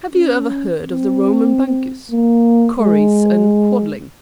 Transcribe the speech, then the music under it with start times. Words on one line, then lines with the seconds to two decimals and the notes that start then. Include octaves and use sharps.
"Have you never heard of the Roman bankers, Correse & Quadling?"
0.12 C#4
0.78 C4
2.12 A#3
2.79 G#3